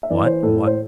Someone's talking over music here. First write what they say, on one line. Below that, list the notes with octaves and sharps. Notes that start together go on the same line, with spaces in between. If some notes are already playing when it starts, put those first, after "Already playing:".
What, what!
E5
E3 D5
C5
A2 A4
C5